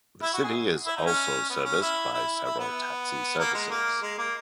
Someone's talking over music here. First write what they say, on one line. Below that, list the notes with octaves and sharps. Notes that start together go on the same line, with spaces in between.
The city is also serviced by several taxi services.
E4
F#4
G#4
E4
D#4
C#4
B3
C#4
E4
E4
E4
B3
A#3
G#3
A#3
G#3
A#3